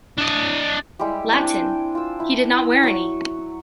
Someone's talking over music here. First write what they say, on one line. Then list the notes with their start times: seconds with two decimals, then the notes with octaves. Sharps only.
Latin!... he did not wear any!
0.18 D4 D#5
0.99 G3 G#3 E4 G4
1.32 C4 D4 G5 G#5
1.95 F4 E6
2.20 E4
2.83 F#3 C#6